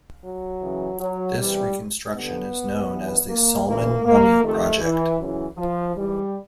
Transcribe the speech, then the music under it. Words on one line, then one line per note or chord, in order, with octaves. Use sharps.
This reconstruction is known as the Sulman Mummy project.
F#3
F#2 C#3 E3
F#3
E2 C3 E3 G3
G2 D3 B3
G2 E3
A#3
D2 C#3 E3 A#3
A#3
F2 C3 D#3 A3
E3
F#2 C#3 E3
F3
G#2 E3 G3